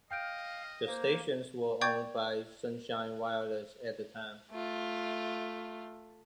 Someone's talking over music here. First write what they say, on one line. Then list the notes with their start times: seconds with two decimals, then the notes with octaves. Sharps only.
The stations were owned by Sunshine Wireless at the time.
0.11 D#5 F5 G5 F6 G6 D7
0.87 A#3 C5
1.81 D5 G5 C#6 D6 G6 G#6
4.51 A3 F4